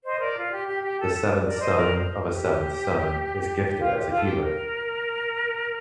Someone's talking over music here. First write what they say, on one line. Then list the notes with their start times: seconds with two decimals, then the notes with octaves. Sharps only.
The seventh son of a seventh son is gifted as a healer.
0.05 C5 D#5
0.20 A#4 D5
0.37 F4
0.52 G4
0.67 G4
0.83 G4
0.99 A4
1.14 A4
1.44 A#4 D5
1.60 C5 D#5
1.76 A#4 D5
1.91 C5
2.33 G4
3.78 F4
3.92 G4
4.09 F4
4.16 A4
4.23 G4
4.39 A#4